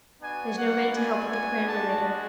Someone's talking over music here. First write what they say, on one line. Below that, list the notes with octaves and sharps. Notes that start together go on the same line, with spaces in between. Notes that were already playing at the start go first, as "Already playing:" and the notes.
There's no man to help with the perambulator.
B3 D4 F#4 G#5
F#5
G#5
G#5
G#3 D4 F#4 A5